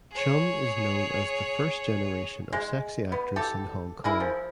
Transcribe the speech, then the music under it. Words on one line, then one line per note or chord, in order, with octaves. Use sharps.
Chun is known as the first generation of sexy actress in Hong Kong.
G#4 C#5
G#3
B3
G4 A4
E4 G#4 A#4
F3